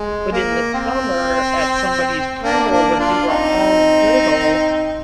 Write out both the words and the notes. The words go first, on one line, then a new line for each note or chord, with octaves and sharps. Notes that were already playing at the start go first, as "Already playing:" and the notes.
but in the summer at somebody's pool when we were all little
Already playing: G#3
A#3
C4
A#3 D4
A#3 D4
D4 F4
C4 D#4